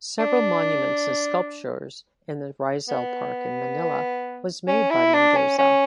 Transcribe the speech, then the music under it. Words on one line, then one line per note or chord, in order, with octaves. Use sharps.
Several monuments and sculptures in the Rizal Park in Manila was made by Mendoza.
D4
B3
C#4
E4
D4
C#4
C#4